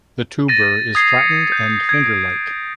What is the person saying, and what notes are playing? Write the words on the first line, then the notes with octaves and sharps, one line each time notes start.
The tuber is flattened and finger-like.
A6 A#6 D#7
D#6 G#6 C7
C#7
G6
G#6 D7